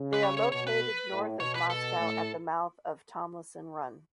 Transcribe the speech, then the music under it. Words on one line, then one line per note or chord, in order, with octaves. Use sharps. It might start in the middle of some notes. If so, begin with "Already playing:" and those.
They are located north of Moscow at the mouth of Tomlinson Run.
Already playing: C#3
B4
C#5
C#5
B2 C#5
B4
A2
B2 C#5
B4
A4
A2